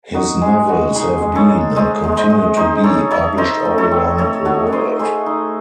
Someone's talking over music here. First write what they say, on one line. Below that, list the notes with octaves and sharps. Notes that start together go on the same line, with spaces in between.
His novels have been, and continue to be, published all around the world.
D#4 F#4
G#3 G#4
G#3 F#4
D#4 G#4
G#3
A4 C#5
D#4
G#3 C5 D#5
G#3
C5 D#5
G#3
D#4 C5 D#5
D#4 A4 C#5
D#4 C#5 E5
D#4 C5 D#5
A3
A4 C#5
C4
A3 A4 C#5
A3 F#4 A4
C#5
D#4 C5 D#5
A3 G#4 C5
D#4